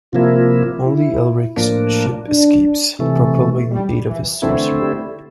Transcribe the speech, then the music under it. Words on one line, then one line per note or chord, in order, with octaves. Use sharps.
Only Elric's ship escapes, propelled by the aid of his sorcery.
C3 F3 A#3 E4 F4
E4
A2 F3 A#3 D4
D4
C3 E3 A3
G3
E3
D3 E3 A3 C4 E4
G3